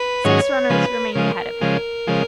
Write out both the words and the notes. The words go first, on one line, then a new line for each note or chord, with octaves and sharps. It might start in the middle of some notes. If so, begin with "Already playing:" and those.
Six runners remained ahead of him.
Already playing: B4
G#2 D#3 F#3 C#4 G#4 C#5
C#3 F3 G#3 B4
C#3 F3 G#3 A#4
C#3 F3 G#3
C#3 F3 G#3